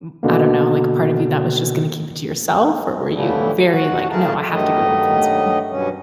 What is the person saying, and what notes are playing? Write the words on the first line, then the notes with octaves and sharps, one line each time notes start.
m I don't know, like a part of you that was just gonna keep it to yourself or were you very like, “No, I have to go to the principal.”
B2 D3 A#3
A2 D3 E3 F3 G3 A3
D#2 F#4 F#5
F#2 A3 F4 G#4 A#4 A5
G2 D#3 F#3 A3 D#5
G2 B2 F#3 C#4